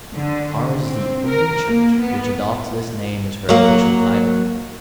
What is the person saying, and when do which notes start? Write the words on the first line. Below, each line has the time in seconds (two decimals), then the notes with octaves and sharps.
Ours is the only Church which adopts this name as her official title.
0.15 D3
0.84 C4
1.28 A#4
1.67 A#3
2.01 B3
3.49 F#3 A#3